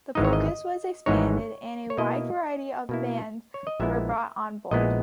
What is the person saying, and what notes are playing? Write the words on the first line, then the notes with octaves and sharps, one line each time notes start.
The focus was expanded and a wider variety of bands were brought on board.
G#1 G#2 E3 G#3 D#4 D#5
C#5
D#5
G#1 G#2 E3 G#3 D#4 C#5
C#5
B2 A#3 E4 D#5
B2 A#3 E4
C#5
D#5
A#1 A#2 G#3 B3 E4 E5
A#1 A#2 G#3 B3 E4 D#5